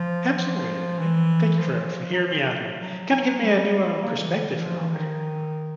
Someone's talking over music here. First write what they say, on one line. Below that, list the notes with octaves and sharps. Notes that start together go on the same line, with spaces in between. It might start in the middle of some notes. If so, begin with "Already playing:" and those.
Absolutely here and, um, thank you for, uh for hearing me out here. Kinda giving me a new, uh, perspective here on it here, you know?
Already playing: F3
F3
E3
F3
E3
F3
F#3
F3
F#3
G3
A#3
E3
D3
E3
F3
E3
D#3